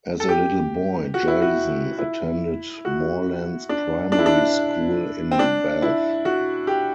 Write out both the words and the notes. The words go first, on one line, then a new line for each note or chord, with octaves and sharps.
As a little boy, Jason attended Moorlands Primary School in Bath.
A4
G4
F#4
E4
F#4
E4
F#4
D4
D4
E4
D4
C4
D4
E4
F#4
G4